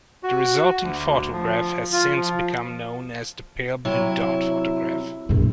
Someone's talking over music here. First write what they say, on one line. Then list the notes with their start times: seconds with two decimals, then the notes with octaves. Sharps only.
The resulting photograph has since become known as the Pale Blue Dot photograph.
0.23 F#4
0.81 D2
1.32 F3
1.93 F4
2.16 F3
3.85 C3 F#3 E4
5.29 A#1 F#2